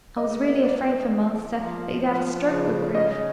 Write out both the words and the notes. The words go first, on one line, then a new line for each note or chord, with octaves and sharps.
I was really afraid for master, that he'd have a stroke with grief.
C#3 D#5
E2 D5
E2
F3
F3
C#3
C#4 D#5